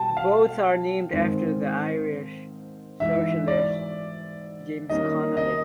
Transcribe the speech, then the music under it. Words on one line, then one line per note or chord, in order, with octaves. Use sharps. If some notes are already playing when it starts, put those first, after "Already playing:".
Both are named after the Irish socialist James Connolly.
Already playing: B2 G3 G5 A5
F5
G#2 D#3 G#3 C4
G#2 E3 G#3 E5
D5
D#3 G3 A#3 C#4 D#5
D#5